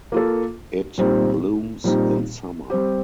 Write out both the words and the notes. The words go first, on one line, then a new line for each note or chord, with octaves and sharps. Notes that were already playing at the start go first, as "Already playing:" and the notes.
It blooms in summer.
A#3 F4 A4
A#2 G3 C4 D#4
A#2 G3 C4 D#4
G3 C4 G4